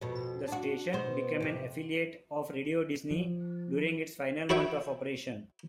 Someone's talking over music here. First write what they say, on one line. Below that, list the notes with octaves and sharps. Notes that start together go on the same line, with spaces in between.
The station became an affiliate of Radio Disney during its final month of operation.
F2 B2
D4 F#4
B2 B3 C5
F2 C3
F3
E4 F#4 C#5 E5 G5